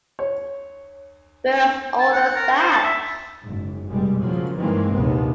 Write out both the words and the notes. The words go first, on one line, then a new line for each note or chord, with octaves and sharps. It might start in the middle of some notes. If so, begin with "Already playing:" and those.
Whereas older Sash!
C#5
A5
F#5
A#4
C5
A5
E5
F#1 G#2
F1 B2 G3 G#3
C#3 F3 F#3 A#3
G2 D#3 E3 G#3 A#3 C4
A#1 D#2 C3 B3